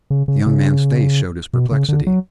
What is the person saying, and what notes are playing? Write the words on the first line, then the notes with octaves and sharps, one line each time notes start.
The young man's face showed his perplexity.
C#3
C#3
C#3
B2
C#3
D3
F#3